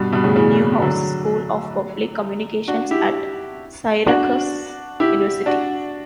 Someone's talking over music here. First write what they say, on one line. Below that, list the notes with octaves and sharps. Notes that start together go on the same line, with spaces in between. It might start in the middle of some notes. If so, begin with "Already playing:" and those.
Newhouse School of Public Communications at Syracuse University.
Already playing: G2 B2
G2 B2
A2 C#3
C#3 E3
D3 F#3
D4 F#4
E4 G4
D4 F#4
E4 G4
D4 F#4